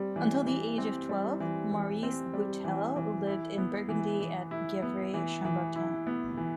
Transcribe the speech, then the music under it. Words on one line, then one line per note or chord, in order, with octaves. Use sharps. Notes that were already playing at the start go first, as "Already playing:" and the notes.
Until the age of twelve Maurice Boitel lived in Burgundy at Gevrey-Chambertin.
Already playing: G3 C4
E3
E3
C4
G3
E3
E3
C4
G3
E3
E3
E4
B3
E3
E3
E4
B3
E3
E3
E4
B3
E3